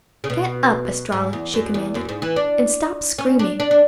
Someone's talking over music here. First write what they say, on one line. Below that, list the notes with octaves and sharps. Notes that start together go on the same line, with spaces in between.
"Get up, Estralla," she commanded, "and stop screaming."
C#3
B2
G#2
E2
F#2
E2
F#2
G#2
E3
D4
C#4
D4
D4
D4